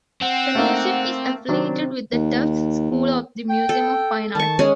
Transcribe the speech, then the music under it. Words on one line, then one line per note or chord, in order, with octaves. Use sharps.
The museum is affiliated with the Tufts School of the Museum of Fine Arts.
C4 F#5
A3 A#3 D#4
C3 D#3 F#3 D4
D#2
E2
G5
A4
D#3 A5 C#6
G#3 C#4 G#4